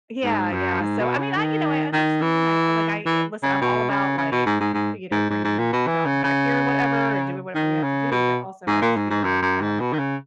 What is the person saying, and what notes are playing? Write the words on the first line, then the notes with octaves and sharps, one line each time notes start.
Yeah, yeah. So, I mean, I, you know I understand. I I, like I listen, I'm all about, like, you know, bringing jobs back here or whatever and doing whatever we have to do, but also, I just feel like, um,
G#2
F#2
G#2
B2
C#3
D#3
D#3
E3
E3
C#3
B2
C#3
C#3
B2
G#2
G#2
G#2
G#2
G#2
G#2
A#2
B2
E3
C#3
C#3
D#3
C#3
B2
G#2
A#2
G#2
G#2
F#2
F#2
G#2
B2
D#3
C#3